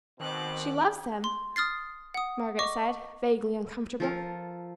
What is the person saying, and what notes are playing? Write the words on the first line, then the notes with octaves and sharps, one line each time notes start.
"She loves them," Margaret said, vaguely uncomfortable.
B2 D#3 C4 D6 F#6
C6
D#6 F6 A6 C7
F#5 D#6
D#5 C#6 D6
F3 A4 A#4